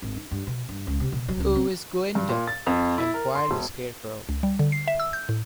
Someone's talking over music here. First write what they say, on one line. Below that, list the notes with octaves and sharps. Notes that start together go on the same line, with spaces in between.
Who is Glinda? enquired the Scarecrow.
G#1
D#4
G2
B2
G2
C#2
C3
B2
F#3
C#2
C4
G2
A#2
A6
F2
E4
A#4
C6
E1
C#2
G3
D3
C7
E5
E6
G6
A2